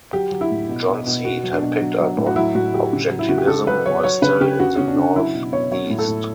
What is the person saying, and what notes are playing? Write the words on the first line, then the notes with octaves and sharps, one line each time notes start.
John Seed had picked up on Objectivism while still in the North-East.
F#3 G4
F#3
E4
A2
B2
B2
B2
B2 F#4
F#3
D4
B2
F#3
F#3
A2
F#4
F#3 E4
A2 F#4
F#3 G4
C#3
F#3
E4
C#3 F#4
G4
C#3 A4
F#3 B4
F#3 C#5
F#3 C#5
C#3 B4
C#3 G4
C#3 F#4
C#3 C#4
D4
C#3
F#3 E4
B2
B2 C#5
F#3 C#5
A2
A4
A2